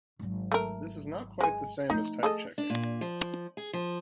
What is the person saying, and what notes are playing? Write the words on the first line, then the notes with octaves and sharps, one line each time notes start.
This is not quite the same as type checking.
G#1 F#3
A3 A#4
G#3 G#5
F3 A3 D#4
G#4 A4 D#5
D4
A#2
F3
G#4
F3